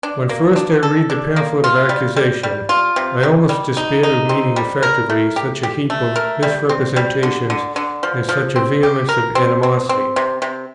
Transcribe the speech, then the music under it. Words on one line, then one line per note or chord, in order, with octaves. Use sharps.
When first I read the Pamphlet of Accusation, I almost despaired of meeting effectively such a heap of misrepresentations and such a vehemence of animosity.
D4
A#3
D4
A4
D4
A#3
F4
G3
G3
G3
F4
C3
D#3
G3
D#4
D#4
C4
G3
A#4
A3
G4
G4
A3
A#4
G3
C4
G3
D3
D3
D3
F3
F3
C4
G4
A#4
C4
C4
C4
C3
C3